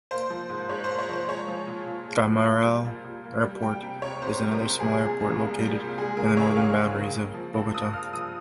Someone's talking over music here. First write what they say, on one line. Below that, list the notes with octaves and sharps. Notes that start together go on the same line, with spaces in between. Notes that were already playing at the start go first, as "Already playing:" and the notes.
Guaymaral Airport is another small airport located in the northern boundaries of Bogota.
A#3 C5
F3
G#2
G#2 C#5
C5
A#3
C#5
F3 C5
G#3 C#5
F3
A#2
A#2
G#3
F3
A#3
G3
A#2
A#2
A#3
G3
G3 G5
C3
C2 C#5
C2 C5
G3
A#4
C3
G3 G#4
A#2
C2
A#3
G3
A#2
G#3 G#4
C#3 A#4
C#2 C#5
C#2 F5
G#3
C#3
A#3
F3
G2
G2 D#6
A#3 F6
F3 D#6